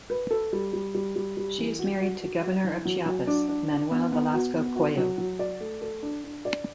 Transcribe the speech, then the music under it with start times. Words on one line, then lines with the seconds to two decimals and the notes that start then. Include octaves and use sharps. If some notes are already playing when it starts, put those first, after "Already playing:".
She is married to Governor of Chiapas, Manuel Velasco Coello.
0.10 B4
0.31 A4
0.53 G3
0.73 G3
0.94 G3
1.16 G3
1.37 G3
1.58 E3
1.79 F#4
2.00 F#4
2.21 F#4
2.42 F#4
2.64 E3
2.85 F#3
3.06 F#3
3.27 D4
3.49 D4
3.70 D4
3.91 B3
4.12 B3
4.33 F#4
4.55 B3
4.76 F#4
4.97 F#3
5.18 F#3
5.39 D5
5.60 A3
5.82 A4
6.02 D4
6.24 D4
6.45 D5